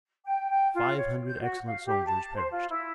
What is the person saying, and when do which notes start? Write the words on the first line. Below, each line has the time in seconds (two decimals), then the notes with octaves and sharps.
Five hundred excellent soldiers perished.
0.24 G5
0.49 G5
0.74 F4
0.96 C#5
1.25 G6
1.40 F#4
1.66 F5
1.85 G4
2.05 A5
2.34 C5
2.50 F4
2.69 E4